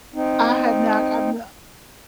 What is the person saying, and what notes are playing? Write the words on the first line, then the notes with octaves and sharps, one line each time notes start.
I have not I've no
C4 D#4